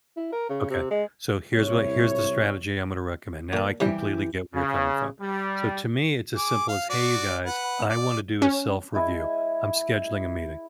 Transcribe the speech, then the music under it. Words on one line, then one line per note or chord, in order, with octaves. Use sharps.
Okay. So here's what here's the strategy I'm gonna recommend. Now I completely get where you're coming from. So to me, it's as simple as, "Hey, you guys. I wanna do a self-review. I'm scheduling a meeting."
E4
A#4
C#3
C3
G#3
C2 E4 C#5
A#2 A5
C3 E3 G3 G4
C#3
G3
G#4 D6
F5
F#4 D5
B4 F#5
D5
C#4
G#3 E4 G#5